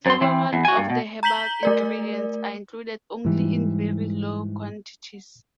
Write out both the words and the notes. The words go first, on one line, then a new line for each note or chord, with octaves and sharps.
Several of the herbal ingredients are included only in very low quantities.
F#2 C6
E3 C4
E2
F#4 G#5
G2
B2
A#5 G6 B6 F#7 G7
A3 A#4 D5
G#2 E3 G3